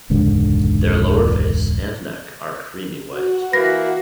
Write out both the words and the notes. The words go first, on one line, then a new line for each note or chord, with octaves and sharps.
Their lower face and neck are creamy white.
E1 C#2 G#2 D3
F#4
E3 A#3 B4 A#6